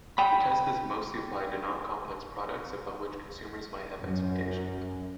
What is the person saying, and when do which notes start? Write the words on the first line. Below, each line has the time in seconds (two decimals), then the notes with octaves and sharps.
The test is mostly applied to non-complex products about which consumers might have expectations.
0.18 G5 B5
4.02 F#2